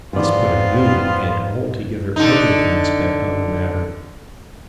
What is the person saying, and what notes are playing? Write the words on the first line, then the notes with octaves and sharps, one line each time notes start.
This put a new and altogether ugly aspect on the matter.
G#2 B3 C4 F4 D5
D3 D#4